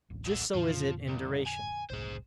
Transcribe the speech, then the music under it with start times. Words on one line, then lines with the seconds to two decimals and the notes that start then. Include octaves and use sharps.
Just so is it in duration.
0.10 D1 A1
0.26 E2 D3
0.54 F2 A#2 D3 F3
1.08 C2
1.47 G#5
1.90 F#1 C2 A2 G#4 C5